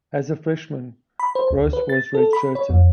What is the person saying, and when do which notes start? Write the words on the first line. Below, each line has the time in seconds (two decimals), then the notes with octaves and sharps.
As a freshman, Groce was redshirted.
1.20 B5
1.35 C5
1.51 D2
1.73 B4
1.89 A6
2.15 A4
2.33 B5
2.55 C#5
2.70 F2